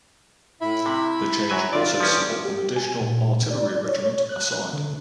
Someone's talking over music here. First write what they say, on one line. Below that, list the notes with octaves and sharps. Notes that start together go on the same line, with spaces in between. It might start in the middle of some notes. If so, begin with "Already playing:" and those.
The change also saw an additional artillery regiment assigned.
A2 E4 E5 B5
C3 B5
F#2 F#3 G#5
F4 D5
E3 F3 C#4
G4
G#5
A#2
D5
C#5
F#6
D3